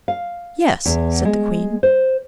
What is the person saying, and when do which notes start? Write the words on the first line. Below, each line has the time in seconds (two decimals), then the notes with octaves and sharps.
"Yes," said the queen.
0.08 F5
0.85 E2
1.25 G#3
1.83 C5